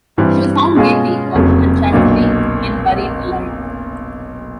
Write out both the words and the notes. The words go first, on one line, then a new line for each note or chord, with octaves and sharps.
She was found guilty of unchastity and buried alive.
G2 E3 G3 C4
B2 G#3 C#4 F4 G#4
F1 F2 C#3 F#3 A#3
B1 A#2 F#3 A#3 D4